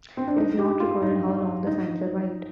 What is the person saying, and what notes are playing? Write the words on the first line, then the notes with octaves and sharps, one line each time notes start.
It is not recorded how long the sign survived.
C4
D4
D#4
G4
F4
D#4
D#4